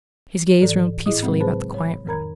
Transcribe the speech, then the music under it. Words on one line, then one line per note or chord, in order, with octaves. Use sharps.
His gaze roamed peacefully about the quiet room.
G#2 E3 A4 D5
A2 E4 G#4 D#5 D6 D#6
A2 C#3 F#3 G#3 C4
G#4 B4 C5 A5 B5
C#5 B5
F2 D#3 A#4 A#5 B5 G#6